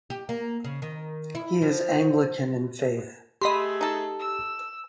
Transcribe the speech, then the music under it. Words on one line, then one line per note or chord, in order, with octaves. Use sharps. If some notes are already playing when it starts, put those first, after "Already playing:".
He is Anglican in faith.
G4
A#3
C#3
D#3
E4
F3
A3 G4 G#4 D#5 B5 C6
D#4 A4
E6